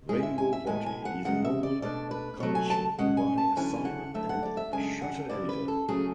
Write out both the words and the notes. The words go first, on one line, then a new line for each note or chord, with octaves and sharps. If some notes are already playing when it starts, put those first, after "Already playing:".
"Rainbow Party" is a novel commissioned by a Simon and Schuster editor.
G#2 G#3 C#4 E4 G#4
E5
G#5
E5
A2 G#3 B3 E4 G#5
G#5
F#5
E2 C#3 G#3 F#5
E5
D5
B2 A3 D4 D5
B4
B2 F#3 A3 C#5
G#5
A5
B2 G#3 C#4 F#5
G#5
A5
E2 D3 F#3 C#4 E4 G#5
F#5
D3 F#3 A3 E5
F#5
D5
E5
F#2 C#3 G#3 D4 G#5
F#5
F#2 C#3 E3 A3 E4 D5
B4
A4
C#3 F#3 A3 C#4 G#4